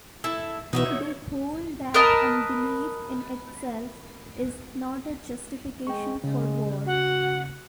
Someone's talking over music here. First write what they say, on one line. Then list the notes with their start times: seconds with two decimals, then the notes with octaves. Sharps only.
They hold that unbelief in itself is not a justification for war.
0.24 E4 A4 E5
0.73 B2 E3 B3 D#4 F#4 E5
0.86 C#5
1.94 A#4 B4 D#5 A5
5.87 G#3 G5 C#6
6.24 C#3 G#3
6.87 F#4 F#5